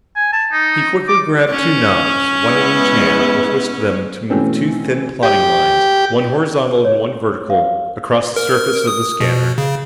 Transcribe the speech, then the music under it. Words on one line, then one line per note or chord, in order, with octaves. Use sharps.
He quickly grabbed two knobs, one in each hand, and twisted them to move two thin, plotting lines, one horizontal and one vertical, across the surface of the scanner.
G#5
A5
D#4
D6
C#4
G#3 B3 E4
B2 E3 A3 C4 C#4
G4
C#5
F5
A#4
D#6
B2
C#3